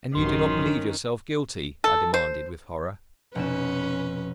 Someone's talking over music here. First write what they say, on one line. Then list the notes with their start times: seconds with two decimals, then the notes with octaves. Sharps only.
"And you do not believe yourself guilty?" I demanded with horror.
0.15 A1 F#2 D#3 C#4 C6
1.84 A4
2.14 C5
3.35 F1 B2 C#4 B4 E7